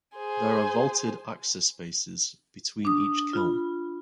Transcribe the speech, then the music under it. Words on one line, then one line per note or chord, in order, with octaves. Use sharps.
There are vaulted access spaces between each kiln.
G#4 C5
D4 D#6
F4 B5